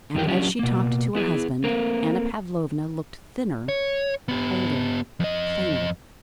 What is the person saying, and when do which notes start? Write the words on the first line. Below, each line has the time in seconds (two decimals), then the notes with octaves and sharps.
And as she talked to her husband Anna Pavlovna looked thinner, older, plainer.
0.15 F2 D#3 F#3 G4 A#4 G5
0.27 F#3 C#4 D4 F4 G4
0.59 B2 A#3
1.15 B3 E4 G#4
1.64 A3 A#3 C4 A#4
3.69 C#5
4.29 B3 G4
5.20 F2 D#5